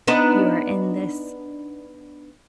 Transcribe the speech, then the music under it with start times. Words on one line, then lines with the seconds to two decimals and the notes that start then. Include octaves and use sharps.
you are in this
0.07 B3 D4 D#4